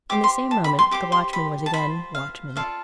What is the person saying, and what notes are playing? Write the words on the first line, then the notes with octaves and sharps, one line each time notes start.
In the same moment the watchman was again watchman.
G4 C5 D6
C6
A5
B5
C6
G4 C5 D6
C6
B5
A5
F4 A4 C5 B5
F5
F4 A4 D5 F5